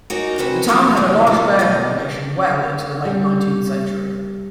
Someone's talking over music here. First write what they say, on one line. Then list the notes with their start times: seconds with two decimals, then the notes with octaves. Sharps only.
The town had a large bear population well into the late nineteenth century.
0.10 D#4 F#4 G#4 A#4 C#5 D5
0.38 C3 C4 F#4 B4
0.68 F3 F#3 A#3 B3 D4 F4
0.97 G#2 C#3 E3
1.26 B2 D#3 F3 G3 A3
1.59 B2 F#3 D#5
3.05 G3